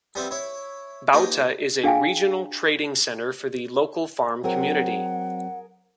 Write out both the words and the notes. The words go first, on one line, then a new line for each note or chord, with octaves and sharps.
Bauta is a regional trading center for the local farm community.
G3 B3 C4 E5
E4 C#5
A#3 D#4 F4 G4 B4 C5
D4 G#4 F5 G5 G#5
F#3 C4 G#4 A#4 F#5